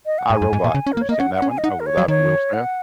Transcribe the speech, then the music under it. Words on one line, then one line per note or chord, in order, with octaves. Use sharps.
I, Robot, have you seen that one? Oh, with, ah, Will Smith?
D#5
F#5
G#2 G#5
F#2
G#2
A#2
C#3
C#4
A#4
A#3
C#5
A#3 D#5
C#4 F#5
F#5
C#4
G#5
D#5
D#4 F#5
A#4
C#5
F#3
D#3 C#5
F#5